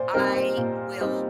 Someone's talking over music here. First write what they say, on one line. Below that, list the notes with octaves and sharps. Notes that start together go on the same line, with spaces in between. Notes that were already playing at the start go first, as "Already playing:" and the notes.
I will
Already playing: A#2 C5 D5
G3 C4 D#4 A#4
C5
A#2
G3 C4 D#4